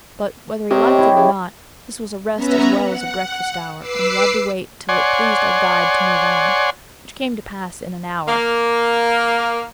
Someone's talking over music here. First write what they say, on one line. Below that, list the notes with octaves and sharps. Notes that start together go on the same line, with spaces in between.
But, whether he liked it or not, this was a rest as well as a breakfast hour and he had to wait till it pleased our guide to move on, which came to pass in an hour.
C3 G4 C#5 D#5
E4 G4
C#3
B3 C#4 B4 E5 A#5
F#5
B4 D6 E6 C7
C#5 D5 F#5 G#5 C6
A#3